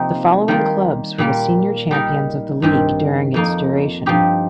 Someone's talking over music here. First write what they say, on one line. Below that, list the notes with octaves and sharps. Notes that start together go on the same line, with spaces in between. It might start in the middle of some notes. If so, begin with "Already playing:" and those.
The following clubs were the senior champions of the league during its duration.
Already playing: C3 F3 A#3 D#4 G4
D#3 G3 A#3 F4
A#2 G3 A#3
G3 D#4 A#4
G2 D#3 C4 G4
F2 F3 A#3 D#4
G2 F3 D#4 G4